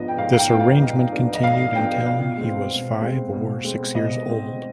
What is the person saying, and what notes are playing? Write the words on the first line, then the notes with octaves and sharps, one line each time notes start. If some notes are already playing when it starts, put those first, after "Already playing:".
This arrangement continued until he was five or six years old.
Already playing: G#2 F3 B3 D4 D#5
G5
G#2 F5
F5
G5
F3 B3 D4 G5
F5
G#2 D#5
F3 B3 D4
D#5
G#2 F5
F3 B3 D4 G5
B2 F5
G#3 C4
B2
G#3 C4
B2
G#3 C4
B2 D#5
G#3 C4